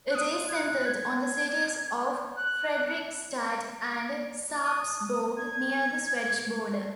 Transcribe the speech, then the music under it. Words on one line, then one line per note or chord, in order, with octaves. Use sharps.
It is centered on the cities of Fredrikstad and Sarpsborg near the Swedish border.
F#6
D#6
G#6
F#6
F#6
G#6
F#6
D#6
D#6
G#6